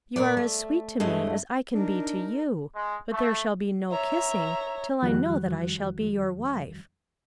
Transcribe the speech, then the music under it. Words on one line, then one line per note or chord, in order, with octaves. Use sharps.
You are as sweet to me as I can be to you, but there shall be no kissing till I know that I shall be your wife.
A#2 C#5 D5
A3
G2 G#3 A3 E4 D#5
D4 D#4 A#4
G#3
A3
C#5 E5 A#5
F2 D#3 F3 G3 F#4 F#6